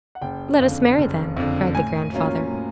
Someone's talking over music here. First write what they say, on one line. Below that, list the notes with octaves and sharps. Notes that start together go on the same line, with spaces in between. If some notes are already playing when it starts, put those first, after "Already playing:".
"Let us marry, then," cried the grandfather.
F#5
F#1 G5
F2 D3
F#1
F2 D3
A2 G#5
F#3 A#3 C#4 F4
A2